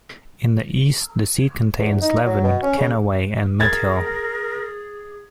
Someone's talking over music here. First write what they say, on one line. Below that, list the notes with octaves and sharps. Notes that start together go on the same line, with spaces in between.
In the east, the seat contains Leven, Kennoway and Methil.
E2
D#4
F#3
B2
C#4
C#3
G#4 A#4 G#6 A6